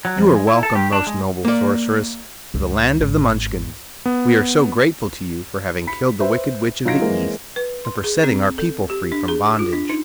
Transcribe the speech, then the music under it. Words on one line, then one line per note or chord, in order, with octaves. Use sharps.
"You are welcome, most noble Sorceress, to the land of the Munchkins. We are so grateful to you for having killed the Wicked Witch of the East, and for setting our people free from bondage."
F#3
F2
G#3
E4
A4
G4
D4
G#3
A#3 D5
C#2
G#1
B3
B5 B6 C#7
B4 C5 E5
F#3 D#4 F4 G#6 A#6 D7
E3 G#3 A#3 C4
B4
C6
G#4
C4
A4
G4
D4
G#4
D6
F4
D4
D#4